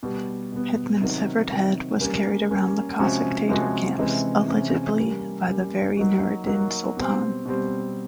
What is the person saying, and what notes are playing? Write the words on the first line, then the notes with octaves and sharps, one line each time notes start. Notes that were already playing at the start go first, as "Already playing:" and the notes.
Hetman's severed head was carried around the Cossack-Tatar camps, allegedly by the very Nuradin-Soltan.
B2 G3 B3
B2 G3 B3
C3 D#3 F#3
C3 D#3 F#3
G3 A#3 C#4
G3 A#3 C#4
C3 F3 G#3 C#4 F#4
C3 F3 G#3 C#4 F#4
C3 E3 G#3 C#4
C3 E3 G#3 C#4
G3 A#3 C#4
G3 A#3 C#4
F#3 A#3 D#4 F#4
F#3 A#3 D#4 F#4
B2 G3 C4
B2 G3 C4